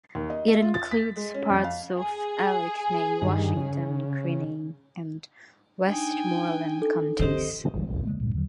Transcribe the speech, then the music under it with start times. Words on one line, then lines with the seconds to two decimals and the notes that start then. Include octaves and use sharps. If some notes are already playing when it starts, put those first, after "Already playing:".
It includes parts of Allegheny, Washington, Greene and Westmoreland counties.
0.15 D#2
0.30 D#5
0.48 E5
0.62 F4
0.74 A6
0.91 B6
1.16 G#3
1.34 C#4
1.50 F2
1.64 F5
1.97 G#4
3.22 G2 D#3
3.57 C#3
5.86 D4 D#4 G5 G#5
6.82 A4
7.19 D3 E3 C4 G4 C5 D#5
7.74 G1 D2 E3 G3
7.88 D#1 B1 F2
8.05 C#3 G#3 A#3
8.21 D2 G2 A#2
8.34 E2 D3 D#3 F#3